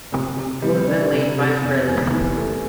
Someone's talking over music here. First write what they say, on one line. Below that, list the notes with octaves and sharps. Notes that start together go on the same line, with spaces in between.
He was then made vice president.
C3
C3
G3
D4
C3
C3
E2
E2
E3
A3